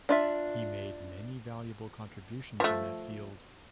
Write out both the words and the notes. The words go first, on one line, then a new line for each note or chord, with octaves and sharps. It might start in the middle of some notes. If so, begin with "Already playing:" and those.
He made many valuable contributions in that field.
D4 F4 E5
F3 A3